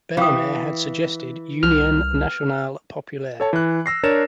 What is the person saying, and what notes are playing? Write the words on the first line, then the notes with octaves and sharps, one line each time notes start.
Bellemare had suggested "Union Nationale Populaire".
E3 F5 G5 D#6
C2 F6
A4 C#5 A5
E3 F#6
E6 A#6 C7
D4 A#4 C#5 A6 E7